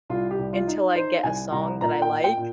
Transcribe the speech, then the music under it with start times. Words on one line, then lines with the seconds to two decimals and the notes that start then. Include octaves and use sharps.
until I get a song that I like
0.09 C2 F4
0.31 G4
0.39 C2
0.53 F4
0.67 D#4
0.95 D#4 C5
1.23 C2 G#5
1.52 C2 A#5
1.81 A#2 A#5
2.02 G5
2.09 A#2
2.24 G5
2.37 A#2